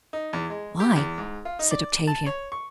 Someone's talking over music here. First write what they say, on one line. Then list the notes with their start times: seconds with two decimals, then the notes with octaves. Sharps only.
"Why?" said Octavia.
0.13 D#4
0.33 E2
0.50 G#3
0.80 G4
0.96 E2
1.18 G#2
1.45 F4
1.59 D#4
1.71 D5
2.07 A5
2.27 C#5
2.52 C#6